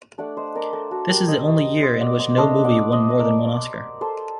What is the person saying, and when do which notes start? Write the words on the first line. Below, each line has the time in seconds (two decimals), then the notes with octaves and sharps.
This is the only year in which no movie won more than one Oscar.
0.18 A3 D4 D5 F#5
0.37 C5 D#5
0.55 A#4 D5
0.73 A4 C5
0.91 F#4 A4
1.09 G4 A#4
1.28 C5 D#5
1.83 C5 D#5
2.01 D5 F#5
2.19 C5 D#5
2.37 A3 D4 C5 D#5
2.64 D5 F#5
2.92 C5 D#5
3.10 D#5
3.19 A#4 D5
4.01 A4 C5